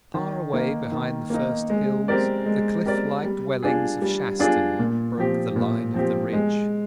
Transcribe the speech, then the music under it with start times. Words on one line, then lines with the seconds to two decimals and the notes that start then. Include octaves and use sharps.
Far away behind the first hills the cliff-like dwellings of Shaston broke the line of the ridge.
0.14 D#3
0.53 A#3 D#4
0.92 D#3
1.30 A#3 D#4
1.70 G#3
2.08 C4 G4 A#4 D5
2.46 G#3
2.86 C4 G4 A#4 D5
3.23 G3
3.63 D4 F4 G#4
4.02 G3
4.40 D4 F4 G#4
4.79 A#2
5.18 F3 C4 G4
5.56 A#2
5.94 F3 C4 G4
6.33 G#3